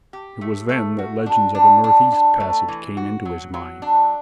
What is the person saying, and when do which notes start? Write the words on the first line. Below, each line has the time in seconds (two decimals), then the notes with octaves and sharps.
It was then that legends of a North-East Passage came into his mind.
0.13 G4
0.41 A3
0.69 A3
0.99 F#4
1.26 D4
1.55 D4
1.84 D4
2.12 D4
2.40 A3
2.68 E3
2.97 F#4
3.25 F#3
3.54 F#3
3.82 D4